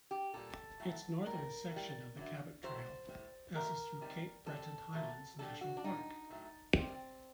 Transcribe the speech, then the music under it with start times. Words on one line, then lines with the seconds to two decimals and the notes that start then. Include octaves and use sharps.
Its northern section of the Cabot Trail passes through Cape Breton Highlands National Park.
0.11 G4
0.34 A#2 G3 A4
0.80 A2 F#3 A3
1.25 A2 G3 A#4
1.71 A2 G3
2.17 D3 F#3 A3
2.63 A2 F#3 A3 C5
3.09 A2 G3
3.54 A#2 F#3 A3 A#4
4.01 C3 D#3 G3
4.46 C3 G3 A4
4.93 A#2 F#3 A3
5.39 D3 G3 A4
5.61 F#4
5.77 D4
5.84 A#2 G3 D#4
6.30 A2 F#3 A3
6.76 C3 D#3 G3 C4